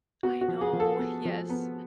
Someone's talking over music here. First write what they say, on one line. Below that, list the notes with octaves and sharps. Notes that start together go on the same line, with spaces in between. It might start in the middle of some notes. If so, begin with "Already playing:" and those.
I know, yes.
B3 F#4
F#4
F3
G#4
F3
A4
B3
F3
B3